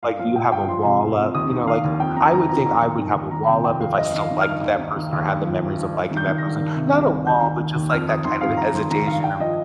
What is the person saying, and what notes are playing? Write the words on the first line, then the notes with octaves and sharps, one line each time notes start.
Like, do you have a wall up? You know, like, I would think I would have a wall up if I still liked that person or had the memories of liking that person, not a wall, but just like that kind of hesitation of
G2 F5
F3 F5
F3 G5
G2 G5
F3 C6
C3
F2
F2
D#2 D#6
D#3
D#3 F5
D#2
F2 G5
D#3 A#5
D#3 A#5
F2 A#5
D#2 A#5
D#3
D#3
D#2
D#3 A#5
C3 G5
F2 G5
F2 F5
G2 D#5
D#3
F5
D#3
F6
G2
D#2
D#3
D#3
D#2
G2
F3
F3
G2
G2
D#3
G6
D#3
A#6
G2
D#3
C3
C2
C2
D#2 G6
D#3
D#3
D#2
F2 F6
D#3 D#6
D#3 C6
F2 F5
G2 A#5
D#3 C6
D#3 A#5
G2 F5
G2 G5
F3 D#5